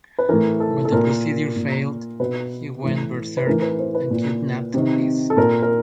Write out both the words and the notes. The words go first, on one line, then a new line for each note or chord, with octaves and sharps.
When the procedure failed, he went berserk and kidnapped Liz.
B4
A2 E3 A#4
A4
A4
A#2 A#4
A#2
B2 B4
A2 E3
B4
A2 E3 A#4
B4
C5
B4
A#2
C3 D#3
A4
A#2 A#4
A#4